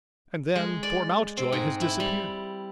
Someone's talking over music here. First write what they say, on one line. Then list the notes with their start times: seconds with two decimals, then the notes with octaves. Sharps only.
And then poor Mountjoy has disappeared.
0.55 G#3
0.83 D5
1.37 C4
1.52 G#2
1.81 E4
2.00 G3